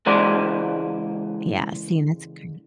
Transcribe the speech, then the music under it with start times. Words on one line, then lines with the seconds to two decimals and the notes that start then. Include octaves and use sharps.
Yeah, see? And that's great.
0.06 C#2 E3 G#3 C5 D5